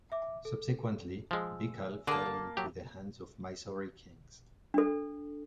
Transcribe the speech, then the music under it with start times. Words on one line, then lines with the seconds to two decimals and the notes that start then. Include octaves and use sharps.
Subsequently, Bekal fell into the hands of Mysore kings.
0.12 E5 D6
0.45 A4
1.31 F3 G#3 G#5 E6
2.07 D3 A#3 G#4 A5
2.57 F#3 G4
4.74 D4 A4